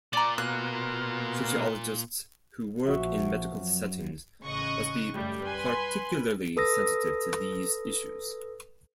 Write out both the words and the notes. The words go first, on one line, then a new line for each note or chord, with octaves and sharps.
Sociologists who work in medical settings must be particularly sensitive to these issues.
A#2 D5 A#5
B2 A#3 F4 F#6
A#1 F3 F#4 E5
F#2
A1 C#3 D#5 C#6 D#6 F#6
F#2 G3 A3
B4 G#5 B5 C6
A4 B4 D#6 E6 A#6